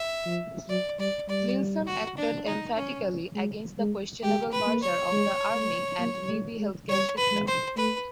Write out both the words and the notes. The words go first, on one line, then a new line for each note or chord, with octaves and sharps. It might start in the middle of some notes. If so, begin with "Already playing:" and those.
Nilson acted emphatically against the questionable merger of the army and navy healthcare system.
Already playing: E5
F3
F#3 D5
G3 D5
G3 D5
F#4
D4
D#4
C#4
G#3
G#3
G#3 G4
B4
A#3
C#5
G#3
A3
A#3
A3
G#3
G3 C#5
B4
G#3
C5
A3 B4